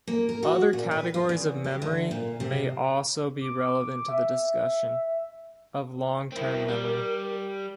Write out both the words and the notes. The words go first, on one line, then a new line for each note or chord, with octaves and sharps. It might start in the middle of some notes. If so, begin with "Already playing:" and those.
Other categories of memory may also be relevant to the discussion of long-term memory.
A#3
A#4
F#4
A#2
B4
F4
E2
G4
D2
A#2
C3
D6
E5
C4 E4 A#4
G3